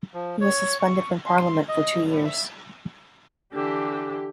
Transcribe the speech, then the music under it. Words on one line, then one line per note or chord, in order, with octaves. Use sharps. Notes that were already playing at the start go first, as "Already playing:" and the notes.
He was suspended from Parliament for two years.
F3
C#5
C#6
C6
D#5
A2
E5
D3 E3 G4